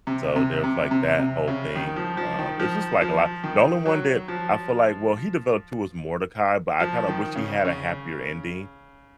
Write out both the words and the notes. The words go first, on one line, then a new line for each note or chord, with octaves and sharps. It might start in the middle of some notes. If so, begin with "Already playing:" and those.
so, there was, like, that whole thing, um, it's just like a lot the only one that I feel like well, he developed too as Mordecai, but I kinda wish he had a happier ending
C3
C3
C3
C3
C3
C#3
D#3
F3
F3
D#3
F3
F3
D#3
F#3
F3
F3
D#3
C#3
C#3